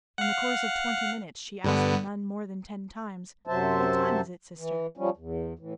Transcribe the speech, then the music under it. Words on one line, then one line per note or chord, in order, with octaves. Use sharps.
In the course of twenty minutes, she asked the nun more than ten times, "What time is it, sister?"
F5 F#5
G2 D3 B3
F#2 C3 F#3 C5 E5 A5
E3
F3 G3 C#4
E2
A2 E3